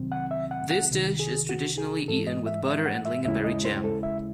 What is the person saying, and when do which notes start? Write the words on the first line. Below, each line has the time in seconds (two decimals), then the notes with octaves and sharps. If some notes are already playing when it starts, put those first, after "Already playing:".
This dish is traditionally eaten with butter and lingonberry jam.
Already playing: C2 C3 D#3 F#3 C4
0.12 F#5
0.31 E5
0.51 F#5
0.71 F#5
0.90 C2 C3 D#3
1.20 G#4
1.49 F#4
1.78 G#4
2.08 G#2 E3 G#3 A4
2.27 D#5
2.46 E5
2.67 E5
2.86 F#5
3.05 E5
3.25 D#2 C#3 G#3 C#4 E4 E5
3.44 D#5
3.65 C5
3.84 A4
4.03 E5